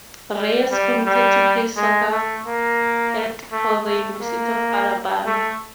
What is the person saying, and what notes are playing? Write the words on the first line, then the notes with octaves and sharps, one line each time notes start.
Reyes committed to play soccer at for the University of Alabama.
G3
G3
G3
G#3
A3
A#3
A3
A3
A#3
A3